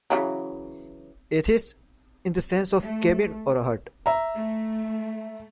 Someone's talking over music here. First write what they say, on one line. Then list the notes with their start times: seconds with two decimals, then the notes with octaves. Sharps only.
"Athis" in the sense of "cabin or hut".
0.10 C#3 E3 F#3
2.81 A3
4.06 E5 A#5
4.35 A3